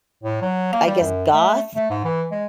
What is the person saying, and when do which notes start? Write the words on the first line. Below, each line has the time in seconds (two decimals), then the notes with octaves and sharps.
k I guess, goth,
0.23 A2
0.42 F#3
0.73 A#3
0.87 G3
1.01 F#2
1.34 A3
1.76 A3
1.90 G#2
2.04 E3
2.31 G#3